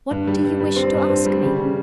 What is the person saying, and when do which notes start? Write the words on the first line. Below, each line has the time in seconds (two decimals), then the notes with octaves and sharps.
"What do you wish to ask me?"
0.11 G2
0.27 G3
0.44 G2
0.60 G3
0.76 C4
0.94 G2
1.10 C4
1.26 G3
1.43 C#3
1.59 C#3